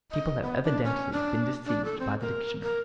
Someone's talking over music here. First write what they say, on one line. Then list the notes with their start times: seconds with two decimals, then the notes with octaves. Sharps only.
People have evidently been deceived by the dictionary.
0.11 D#5
0.43 B3
0.64 D4
0.84 C#4
1.12 D4
1.66 D4
1.85 A4
2.00 C4
2.21 A#4
2.63 A#4